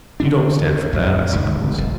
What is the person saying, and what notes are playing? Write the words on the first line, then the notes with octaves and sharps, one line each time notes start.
You don't stand for that, I suppose?
D3 E3 D4
A#1 F#2
D1 C#2 D#3
F1 B1 F3